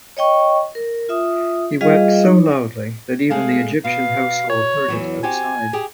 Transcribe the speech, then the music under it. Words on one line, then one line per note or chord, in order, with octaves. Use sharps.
He wept so loudly that even the Egyptian household heard it outside.
C#5 D#5 G5 C#6
A#4
F4 E5 D#6
G3 F4 G#4 D#5 F5
D#4 C#5
G#3 A3 G#4 F5
B2 F5
C#5
E2 E3 F#3
C4 F#4 G4 G#5
G4 G#4